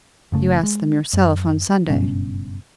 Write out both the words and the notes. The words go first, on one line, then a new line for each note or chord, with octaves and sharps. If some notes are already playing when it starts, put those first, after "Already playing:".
"You asked them yourself on Sunday."
F#1 C#3 A3
G#3
F#2
F#1 G2 B2 C#4